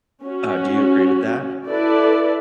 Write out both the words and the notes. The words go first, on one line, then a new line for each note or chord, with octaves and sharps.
Uh, do you agree with that?
C#4 F#4
E4 A4 B4 D5